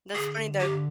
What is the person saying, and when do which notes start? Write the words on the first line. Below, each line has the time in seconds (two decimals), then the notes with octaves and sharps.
That's funny, though.
0.15 D3 G#4
0.60 G4